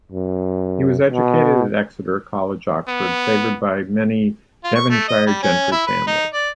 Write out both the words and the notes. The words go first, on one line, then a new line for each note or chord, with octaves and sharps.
He was educated at Exeter College, Oxford, favoured by many Devonshire gentry families.
F#2
B2
B3
F4
C#6
A3
D#5
G3
C#4
E4
B4
D#4
D5